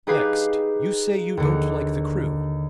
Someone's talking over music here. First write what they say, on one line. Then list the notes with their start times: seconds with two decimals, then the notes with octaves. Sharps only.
Next, you say you don't like the crew.
0.07 D#4 G4 G#4 B4 F5
1.37 D#2 D3